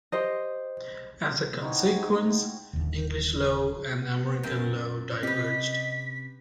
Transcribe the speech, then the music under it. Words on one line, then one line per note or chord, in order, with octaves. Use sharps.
As a consequence, English law and American law diverged.
G4 C5 D#5
C4 D#4 E4 F#4
D#4
D#1 G#1 D#2 D3
B3
F#2 G5
C3 G4 B4 D#5 B6